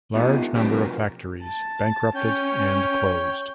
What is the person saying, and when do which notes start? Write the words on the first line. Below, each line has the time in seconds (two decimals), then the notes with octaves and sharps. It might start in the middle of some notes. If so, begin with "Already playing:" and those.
Large number of factories bankrupted and closed.
0.15 A3 B3 D#4 F4 G4
0.56 F#3 G3 B3 C4 D4 G4
0.69 B2 F3 C#4 F4 A#4 B4
1.42 A5
2.15 C#4 C#5 G5 G6